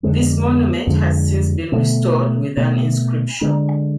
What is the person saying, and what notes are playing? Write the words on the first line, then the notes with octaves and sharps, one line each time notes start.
This monument has since been restored with an inscription.
F2 D3 G#3 C4
F2 D3 G#3 C4
B2 A3 C4
B2 A3 C4
D3 G#3 D4